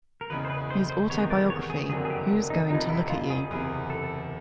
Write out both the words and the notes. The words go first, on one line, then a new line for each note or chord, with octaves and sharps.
His autobiography, Who's Going To Look At You?
A#4
E1 E2 C#3 B4
C5
B4
C5
C5
E2 C3 D#3 G#3 B3 C#5
D5
C#5
G#4
F#1 F2 D3 F#3 A#3 G#4
G#4
G4
D#4
E1 E2 C3 F3 D#4
E4
F4
G#4
F#1 E2 C3 G#4
A4